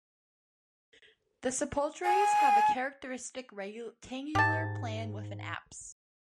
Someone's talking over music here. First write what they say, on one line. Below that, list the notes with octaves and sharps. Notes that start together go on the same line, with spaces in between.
The sepulchres have a characteristic rectangular plan with an apse.
G#5
G#2 G4 A5